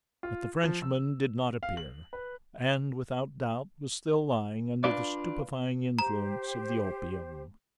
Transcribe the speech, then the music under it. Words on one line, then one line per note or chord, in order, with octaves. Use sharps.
But the Frenchman did not appear, and, without doubt, was still lying under the stupefying influence of the opium.
F4
F3
E6
F5
F#7
B4
D4 F4 B4 D5
G4 C5 A#5